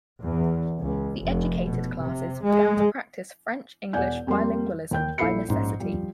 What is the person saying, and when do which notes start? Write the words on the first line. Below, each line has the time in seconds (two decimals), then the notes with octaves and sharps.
The educated classes began to practice French-English bilingualism by necessity.
0.23 E2
0.80 C#2
1.23 F1
1.66 B2
2.01 C3
2.45 G#3
3.93 E1 D5 F#5 G#5 G6
4.27 F2 G3 A#3 C6
4.91 D#2 G5 G6
5.18 A#1 E4 A4 B5 C7 C#7
5.48 A#1 G#2 C#4
5.80 F3 G3